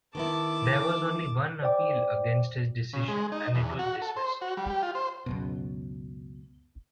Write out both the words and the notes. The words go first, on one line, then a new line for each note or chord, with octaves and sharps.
There was only one appeal against his decision, and it was dismissed.
D#3 B3 E4 A5 D6
C5 D5 G5 D6
C#3
G#3
D#4
E2
F#4
A4
C5
F#4
G3
G4
F4
C5
C#2 F#2 B2